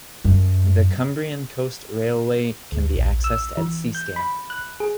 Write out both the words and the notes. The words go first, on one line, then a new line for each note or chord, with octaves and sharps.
The Cumbrian Coast railway can be accessed at Seascale.
F#2
D2
A#1
E6
E3
G6
B5
F#6
G#4